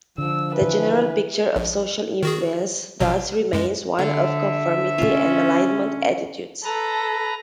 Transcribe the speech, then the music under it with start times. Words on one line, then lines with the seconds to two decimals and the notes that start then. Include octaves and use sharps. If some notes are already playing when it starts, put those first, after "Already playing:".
The general picture of social influence thus remains one of conformity and alignment attitudes.
0.18 D3 F3 E6
0.55 E3 B4
1.56 A#1
2.23 D#3 F#4 G#4
3.00 A1 B2 F#3
3.53 F#2 G#3
3.99 D3 E5
4.98 C#4 F4
6.64 A4 B4 A#5